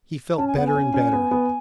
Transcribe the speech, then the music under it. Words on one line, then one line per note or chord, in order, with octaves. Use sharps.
He felt better and better.
C#4 A5
G#5
B3 F#5
G#5
C#4
C#4
B3
B3